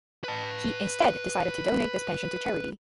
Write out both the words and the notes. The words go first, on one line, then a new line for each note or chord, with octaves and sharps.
He instead decided to donate this pension to charity.
B4 A5